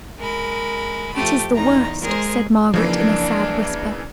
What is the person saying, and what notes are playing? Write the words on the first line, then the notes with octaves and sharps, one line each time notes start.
'That is the worst,' said Margaret, in a sad whisper.
G#3 A#4 B5
F3 A3 G4
E2 D#4 A#5
G#3 G#4 A#4 C5
C#3 E3 F3 A#3 D4